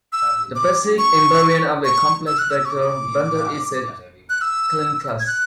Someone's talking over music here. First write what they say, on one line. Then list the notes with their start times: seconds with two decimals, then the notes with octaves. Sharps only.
The basic invariant of a complex vector bundle is a Chern class.
0.13 E6
0.55 D6
0.98 C#6
1.84 C#6
2.27 E6
2.39 F#6
2.50 E6
2.65 C#6
2.70 D6
4.30 F#6
4.41 E6
5.20 G#6
5.27 F#6